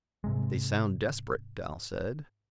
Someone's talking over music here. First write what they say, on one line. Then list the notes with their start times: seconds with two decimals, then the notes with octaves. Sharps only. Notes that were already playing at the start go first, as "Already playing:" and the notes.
"They sound desperate," Dal said.
0.24 G#2 C3 G#3